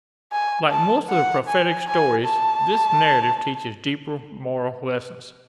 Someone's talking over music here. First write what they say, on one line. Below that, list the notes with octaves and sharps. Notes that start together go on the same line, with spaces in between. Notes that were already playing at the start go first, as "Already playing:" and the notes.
Like most of the prophetic stories, this narrative teaches deeper moral lessons.
G#5
A5
F#5
G#5
G#5
A5